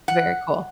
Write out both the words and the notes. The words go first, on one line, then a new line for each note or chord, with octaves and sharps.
Very cool.
F#5